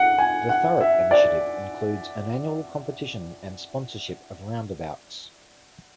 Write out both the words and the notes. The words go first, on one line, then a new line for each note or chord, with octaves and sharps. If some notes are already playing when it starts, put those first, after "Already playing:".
The Thurrock initiative includes an annual competition and sponsorship of roundabouts.
Already playing: F#5
G#5
F#5
E5
D5